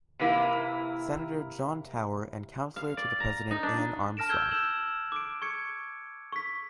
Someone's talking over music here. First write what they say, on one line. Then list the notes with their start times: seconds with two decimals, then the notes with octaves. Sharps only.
Senator John Tower and Counselor to the President Anne Armstrong.
0.19 C3 E3 A#3 E4
2.76 F5
2.97 D5
3.20 A#5
3.51 D#4
3.63 D4
4.17 A5 F6 A#6 D7 E7
4.29 E6 F6 G6 G#6 G7
4.51 E6 G6 E7 F#7
5.12 D6 D7
5.42 C#6 G#6 C#7
6.32 C#6 B6